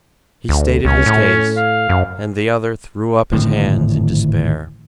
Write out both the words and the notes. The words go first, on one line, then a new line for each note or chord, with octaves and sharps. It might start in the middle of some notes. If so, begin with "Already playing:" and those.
He stated his case; and the other threw up his hands in despair.
D2
C#2 C#4
A2
F5
F#2
G#1 A2 D3 F3